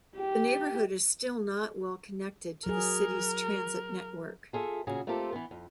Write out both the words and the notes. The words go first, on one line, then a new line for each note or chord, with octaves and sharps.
The neighborhood is still not well-connected to the city's transit network.
G4
F#3 G#4 A#4
F4 G#4 A4 E5
A#2 C#3 F#4 G#4
A3 A#3 C4 F4 G4 A4
E3 B3
F2